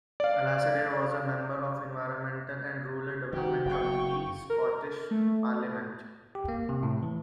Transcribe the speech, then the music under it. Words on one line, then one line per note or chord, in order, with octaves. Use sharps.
Alasdair was a member of the Environment and Rural Development Committee Scottish Parliament.
D5 F5
D#3 E3 F#4 G4 F#5
F#1 G5 C#6
A#4
A3
G4
A#3
C3
A2
E3